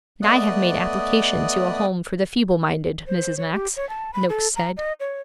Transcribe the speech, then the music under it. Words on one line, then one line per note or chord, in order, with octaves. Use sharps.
'And I have made application to a home for the feeble-minded, Mrs. Max,' Noakes said.
A3 B3 D5 D#5 D#6 F#6
C5
C#5
G4
C#5
A5
B5
A4
A#5
D#5
C#5